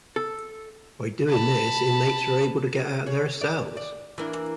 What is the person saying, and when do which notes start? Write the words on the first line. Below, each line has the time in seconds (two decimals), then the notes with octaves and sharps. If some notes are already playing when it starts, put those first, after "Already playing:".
By doing this inmates were able to get out of their cells.
0.16 A4
1.29 A5 B5
3.06 G#4 C#5
3.41 D5
3.77 D5
4.18 E3 A#3 D4